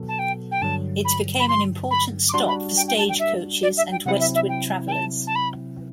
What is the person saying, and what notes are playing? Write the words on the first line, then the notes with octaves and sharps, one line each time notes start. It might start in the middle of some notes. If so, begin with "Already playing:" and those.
It became an important stop for stage coaches and westward travelers.
Already playing: B2 F#3 B3 F#4 A4
A5
G5
G5
G2 D3 F#3 A5
B5
B5
C6
B5
D6
G3 D4 F#4 C6
B5
G5
G5
A5
G5
E5
D5
E5
G5
C3 F#3 C4 E4 F#5
E5
E5
G5
G5
A5
A5
B5